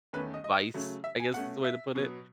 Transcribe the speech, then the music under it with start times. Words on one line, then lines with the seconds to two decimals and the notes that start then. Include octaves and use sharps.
vice, I guess is the way to put it,
0.13 E2 D#3 A3 C#4 B4
0.34 D#5
0.44 D#5
0.74 C#3 F#3 A3 C#4
1.04 E5
1.20 G#5
1.34 B2 A3 C#4 F#5
1.64 E5
1.95 B2 F#3 B3